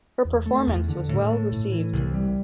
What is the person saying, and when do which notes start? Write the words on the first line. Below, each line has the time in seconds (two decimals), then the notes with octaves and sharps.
Her performance was well received.
0.25 E2
0.46 A3
0.67 E2
0.88 D3
1.09 A2
1.30 A3
1.52 A2
1.72 E3
1.93 C2
2.14 G3